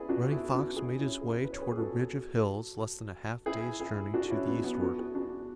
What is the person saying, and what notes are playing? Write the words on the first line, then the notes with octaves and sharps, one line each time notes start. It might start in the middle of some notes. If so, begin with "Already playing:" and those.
Running Fox made his way toward a ridge of hills less than a half day's journey to the eastward.
Already playing: E4 G#4 B4 D5
D4 F#4
E4 G#4
D4 F#4
E4 G#4
C#4 E4
E4 G#4
B4
C#5
G#4 B4
G#4
F#4 A4
E4 G#4
E4 G#4
D4 F#4
C#4 E4
B3 D4
B3 D4
D4 F#4
E4 G#4
D4 F#4